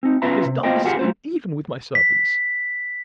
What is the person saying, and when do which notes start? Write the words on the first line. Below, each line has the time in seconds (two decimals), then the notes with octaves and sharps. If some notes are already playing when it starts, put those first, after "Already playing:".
She has done the same even with my servants.
0.03 C4 D#4
0.22 B3 C#4 F4 B4 E5 A#5
0.45 C3
0.63 A#3 F4 C5 D#5 G5
0.84 A#3 F4 G4 G#4 A#4 F#5
0.99 F#3 A3 A#3 F4 C5
1.95 B6